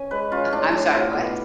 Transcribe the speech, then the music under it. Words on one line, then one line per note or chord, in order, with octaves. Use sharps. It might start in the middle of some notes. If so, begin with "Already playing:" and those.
Uh, I'm sorry, what?
Already playing: C#4 G#5
G#3 B4
C#4 F4
A2 D4
A2 D4
A2 F4
B2